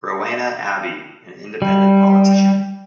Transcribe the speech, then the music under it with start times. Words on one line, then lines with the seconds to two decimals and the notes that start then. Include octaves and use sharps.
Rowena Abbey, an independent politician.
1.62 G3